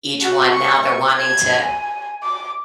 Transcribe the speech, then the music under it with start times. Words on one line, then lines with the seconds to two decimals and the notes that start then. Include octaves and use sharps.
each one now they're wanting to
0.22 F#4
0.53 C#6
1.16 G#6
1.64 G#5
2.23 D6